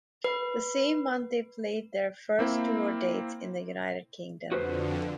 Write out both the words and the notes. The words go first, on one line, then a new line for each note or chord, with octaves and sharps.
The same month they played their first tour dates in the United Kingdom.
B4
A#3 C4 E4
F2 D3 F#4 B4 C5